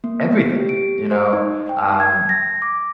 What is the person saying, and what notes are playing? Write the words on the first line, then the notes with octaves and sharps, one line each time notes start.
everything, you know? Um,
A#3
B3
G4
D7
C5
D#4
G5
G#6
A#6
D6